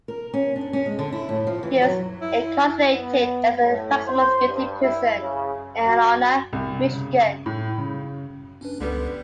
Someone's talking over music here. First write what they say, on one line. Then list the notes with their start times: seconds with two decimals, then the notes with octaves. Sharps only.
He was incarcerated at a maximum security prison in Ionia, Michigan.
0.08 A#4
0.34 C#4
0.56 D4
0.73 C#4
0.86 G#3
0.99 D3
1.12 E4
1.29 A2
1.47 F3
1.63 E3
1.82 F#3
2.21 E4
2.92 B3
3.61 A2
4.06 C5
4.47 G2
4.82 E4
5.21 C#3
5.85 F#4
6.53 C2
6.92 C#3
7.46 A2
7.78 C#3
8.61 C#4 D4 B4
8.80 C#2 D3 G3 B3